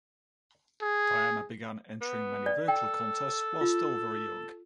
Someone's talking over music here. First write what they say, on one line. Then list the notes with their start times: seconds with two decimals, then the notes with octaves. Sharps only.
Diana began entering many vocal contests while still very young.
0.82 G#4
2.01 B3
2.46 D5
2.68 A4 G5
3.61 F4